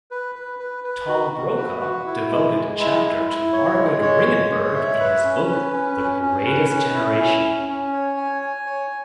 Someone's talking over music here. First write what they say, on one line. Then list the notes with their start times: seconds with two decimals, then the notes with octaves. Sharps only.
Tom Brokaw devoted a chapter to Margaret Ringenberg in his book "The Greatest Generation".
0.11 B4
0.35 B4
0.59 B4
0.84 B4
1.09 F#4
1.33 F#4
1.57 B4
1.81 F#4
2.06 E4
2.31 G#3
2.55 G#3
2.80 E4
3.04 E4
3.28 E4
3.53 C#5
3.77 G#3
4.02 C#5
4.26 G#3
4.51 C#5
4.75 E5
5.00 B4
5.24 C#4
5.49 B4
5.73 C#4
5.97 C#4
6.22 C#4
6.46 B4
6.71 C#4
6.95 E4
7.19 C#4
7.44 C#4
7.68 C#4
7.93 C#5
8.17 G#5
8.42 G#5
8.66 C#5